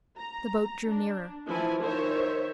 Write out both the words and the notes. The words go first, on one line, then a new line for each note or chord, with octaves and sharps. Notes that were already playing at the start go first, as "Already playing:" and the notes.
The boat drew nearer.
A#5
D4
E3 F3 E4 F4 G#5
D#3 C5 C#5 E5